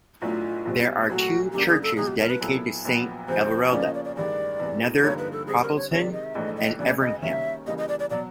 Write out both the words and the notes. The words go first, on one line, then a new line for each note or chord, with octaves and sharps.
There are two churches dedicated to Saint Everilda - Nether Poppleton and Everingham.
B1 A2 F#3 A3 D4 F4
B1 B2 G3 C4
C2 A#2 F#3 A3 F#4
F#2 C#3 F#3 A#3 D4 G4
G#4
A4
C#2 B2 F#3 G#4
G4
A#4
B4
A#2 F#3 B3 E4 A4
A#1 A#2 F#3 B3
D2 C3 F3 C5
C#3 F3 A#3 C#4 F4 D5
D#5
D5
D5
A1 G2 D#3 G#3 D5
E2 C3 E3 A3
G2 D3 F3 A#3 D#4 C#5
B4
A4
D3 G3 C4 G#4
A#4
C#5
C3 D#3 G#3 C#5
D5
D#5
E5
A#1 G#2 E3 A3 D4 D#5
D#5
E1 D2 C#3 D5
D#5
D#3 G3 A#3 C#4 E5
C#3 E3 G3 A#3 D#5
D#5
D5
D5
B2 F#3 D5